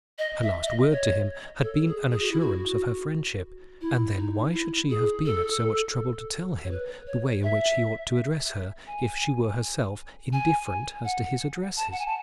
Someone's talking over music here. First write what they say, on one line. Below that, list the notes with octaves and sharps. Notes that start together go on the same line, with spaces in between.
Her last word to him had been an assurance of her friendship; and then why should she have been at so much trouble to tell him the way in which he ought to address her if she were herself indifferent as to his addresses?
D#5
E5
D#5
C#5
A4
G#4
G#4
F#4
E4
F#4
E4
D#4
E4
G#4
A4
C#5
B4
C#5
E5
G#5
G#5
F#5
A5
F#5
G#5
A5